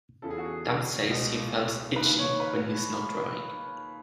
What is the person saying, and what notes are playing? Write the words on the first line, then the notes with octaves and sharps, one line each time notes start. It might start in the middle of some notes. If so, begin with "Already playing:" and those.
Dumm says he feels "itchy" when he's not drawing.
E2 C#3 E3 A4
G#4
F#4
G#4
C#2 B2
D#2 D#3 B4
C#5
B4